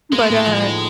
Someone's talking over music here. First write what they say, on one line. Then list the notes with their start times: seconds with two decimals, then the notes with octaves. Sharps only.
but, uh
0.13 G#3 A#3
0.30 A2
0.47 F3
0.64 D#4